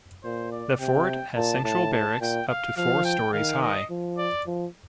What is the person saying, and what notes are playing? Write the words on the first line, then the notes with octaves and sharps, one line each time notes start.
The fort has central barracks up to four stories high.
A#2 C5
D5
C3 G5
A#2 A5
A2 A5
A5
A#2 G5
F5
F3 F5
G5
D#3 F5
D#5
F3
D5
F3